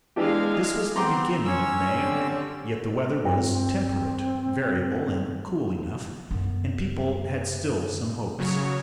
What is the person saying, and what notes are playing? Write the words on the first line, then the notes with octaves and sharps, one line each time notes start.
This was the beginning of May, yet the weather was temperate, variable, and cool enough, and people had still some hopes.
E3 G#3 D4 G4 F5
B3 C4 G4 A#5 C6 D6
C#4 C#5 E6
D3 C4 G4
G2 C4
F#2 B3
C#3 F#3 C#5